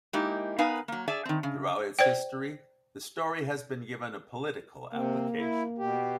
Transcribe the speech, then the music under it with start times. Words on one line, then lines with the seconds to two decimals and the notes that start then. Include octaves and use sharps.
Throughout its history, the story has been given a political application.
0.13 G#3 A#3 D#4 E4 G4
0.58 B3 D#4 A#4 B4 F5 G#5
0.88 F#3 A#3
1.08 G#4 D5 E5 A5
1.25 D#3 C4
1.43 C#3
1.99 C5 D5 G5
4.93 C3 A#3 C4
5.38 E4
5.78 B2 G4